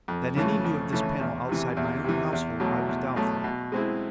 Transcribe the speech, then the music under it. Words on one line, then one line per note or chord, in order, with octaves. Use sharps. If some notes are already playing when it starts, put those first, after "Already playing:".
That any knew of this panel outside my own household, I was doubtful.
F2
C#3 E3 A3
F2
C#3 E3 A3
E2
C3 E3
E2
C3 E3
E2
B2 F#3 A3
E2
B2 F#3 A3
B2
G#3 C4 E4